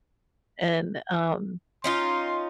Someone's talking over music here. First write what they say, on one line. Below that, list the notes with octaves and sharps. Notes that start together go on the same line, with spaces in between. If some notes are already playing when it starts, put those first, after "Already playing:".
And, um,
C#4 D#4 F4 C6